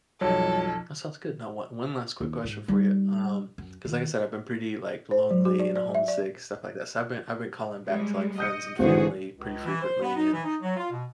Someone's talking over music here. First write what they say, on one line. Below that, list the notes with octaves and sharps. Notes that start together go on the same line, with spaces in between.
That sounds good. Now, o one last quick question for you, um 'cause, like I said, I've been pretty, like, lonely and homesick, stuff like that. So, I've been I've been calling back to, like, friends and family pretty frequently, and,
B1 F2 G3 F4 F#4 A4 C#5
D#2
G#2
G3 D#4
F#2
D#3
C5
F#3
F#4
D5
D5
E5
D5
G3 G#3
D#5 D#6 G6 C#7
G#1 D3 E3 F#4 G#4
C#2
E3
C5
B3
D#4
E3
D#4
F#3
F4
B2